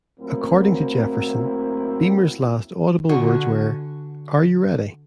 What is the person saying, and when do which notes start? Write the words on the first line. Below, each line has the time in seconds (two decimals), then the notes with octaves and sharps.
According to Jefferson, Beamer's last audible words were Are you ready?
0.20 A2 F#3 A#3 C4 E4
3.09 D3 F#4 G#5 C#6